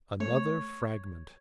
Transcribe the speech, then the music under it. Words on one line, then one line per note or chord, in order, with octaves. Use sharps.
Another fragment.
A3 C#5